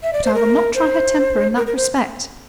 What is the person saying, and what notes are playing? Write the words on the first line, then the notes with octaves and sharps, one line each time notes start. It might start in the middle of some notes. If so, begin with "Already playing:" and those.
But I will not try her temper in that respect.
E5
D5
C5
A#4
C5
A#4
A#4
C5